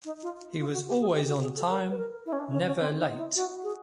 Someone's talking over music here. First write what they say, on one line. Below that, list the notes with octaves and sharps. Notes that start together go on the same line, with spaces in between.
He was always on time, never late.
D#4
F4
F4
F#4
G4
G#4
G4
F#4
G#4
A4
A#4
B4
A#4
E4
C#4
D4
C#4
C#4
C4
D#4
E4
F#4
G#4